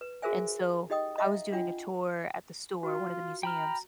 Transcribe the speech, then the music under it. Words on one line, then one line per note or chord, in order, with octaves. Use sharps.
and so I was doing a tour at the store- one of the museums-
B4
F#4 G#4 A#4 C5 E5 G#5
D#4 G4 D#5 G5 D#6
D#5 E5 F#5 A#5
D4 F4 F#5 G5
F4 F#4
G5 A#5 B5 F6